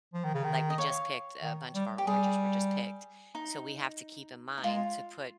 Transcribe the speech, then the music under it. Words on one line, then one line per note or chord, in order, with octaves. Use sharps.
like, we just picked a bunch of our oranges were just picked. So, we have to keep in mind to put
F3
D#3
C#3
D#3
D#5
C#5 F5
D#3
G3
G4
G3 G#4
D#4
D#4
G#3 F4